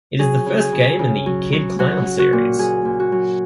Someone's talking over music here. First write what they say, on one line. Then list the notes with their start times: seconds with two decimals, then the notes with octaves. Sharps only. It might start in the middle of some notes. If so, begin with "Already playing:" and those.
It is the first game in the "Kid Klown" series.
0.19 F#3 G#4
0.46 C#3
0.59 G#4
0.73 C#3
0.99 C#3
1.26 F#3
1.53 F#3
1.79 F#3 F#4
2.05 F#3
2.19 F#4
2.33 A#2
2.58 F#3 G#4
2.85 A#2
3.00 F#4
3.12 F#3